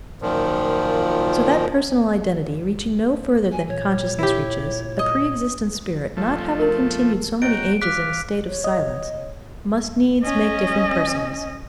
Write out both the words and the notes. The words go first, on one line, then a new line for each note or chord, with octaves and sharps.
So that personal identity, reaching no further than consciousness reaches, a pre-existent spirit not having continued so many ages in a state of silence, must needs make different persons.
F#2 A#2 D#3 F3
G#5
A#2 C#5
E4 G4
D#5
F3 A3
A#4 C6
F#4 C#5 D#5 G5 A#5 D7
F5 D6 F#6 B6
C#5
D#5
C#4 D#5